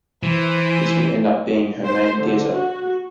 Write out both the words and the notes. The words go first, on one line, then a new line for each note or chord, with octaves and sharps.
This would end up being her main theatre.
E3 C5
C5
D3
F#4